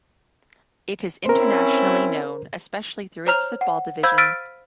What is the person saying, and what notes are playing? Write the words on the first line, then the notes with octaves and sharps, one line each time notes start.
It is internationally known, especially through its football division.
C4 C#4 E4 A#4 C5
C5 C#5 A#5 F6 F7
F#5
C5 F5 B5 E6 G6 G#6
E6 F6 A6 B6 D7 D#7